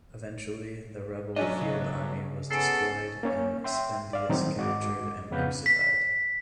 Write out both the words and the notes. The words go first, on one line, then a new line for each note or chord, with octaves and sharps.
Eventually the rebel field army was destroyed and Spendius captured and crucified.
B2 F#3 A3 C#4 D4 D#5
C#3
B3 C#4 G#4 A4 C7 D7
A#3 C#4 C#5
E5 G5 C6
D5 F5
A2 D#3 F#3 G3 C4 D#4
G#2 G#3 F#4 D#5 D6
F2 C#3 B3 B4 F5 G6
B6